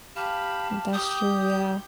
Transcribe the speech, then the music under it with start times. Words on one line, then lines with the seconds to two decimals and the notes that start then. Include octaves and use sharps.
That's true, yeah.
0.16 G4 F5 A5 B5
0.93 G4 D#6 G6